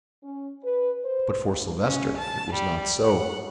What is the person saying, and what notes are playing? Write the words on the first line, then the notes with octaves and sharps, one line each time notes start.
But for Silvester it was not so.
C#4
B4
C5
C#4
A5
G3
F#5